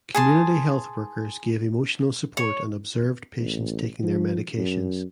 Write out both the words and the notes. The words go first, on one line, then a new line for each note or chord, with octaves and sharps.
Community health workers gave emotional support and observed patients taking their medications.
G#4 A5 C6
C#5
A1
F3
F#2